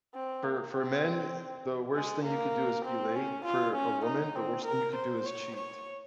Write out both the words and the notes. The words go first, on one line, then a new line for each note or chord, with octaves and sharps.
For for men, the worst thing you could do is be late. For a woman, the worst thing you could do is cheat.
C4
A#3
C4
G#3
A#3
C4
C#4
F4
C#4
D#4
C4
A#4
C5
C#5
C#5